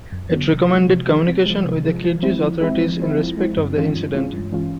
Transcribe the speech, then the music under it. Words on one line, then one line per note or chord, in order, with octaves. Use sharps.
It recommended communication with the Kyrgyz authorities in respect of the incident.
F#2
D3 F#3 B3
C3
F3 G#3
C3
F3 G#3
C3
F3 G#3
C3
F3 G#3
F3
G#3 C4 E4
F3
G#3 C4 E4
F3
G#3 C4 E4
F3
G#3 C4 E4
G2
E3 G#3 C#4 F4
G2
E3 G#3 C#4 F4
G2
E3 G#3 C#4 F4